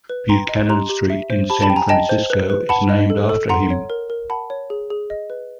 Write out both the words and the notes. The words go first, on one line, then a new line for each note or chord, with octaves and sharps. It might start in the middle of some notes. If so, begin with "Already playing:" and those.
Buchanan Street, in San Francisco, is named after him.
B4
G5 A#5 C6
D#5
G4 A#5 C6
G4
E5
C5
G4 A5 B5
A5 B5
G5
G#5 A#5
D#5 G5 A5
C5
B4
B4
F#5 A5 B5
D#5
A4
A4
F#5 A#5 C6
C#5
A#4
A#4
F#5 A5 B5
C#5
G#4
G#4
D#5
B4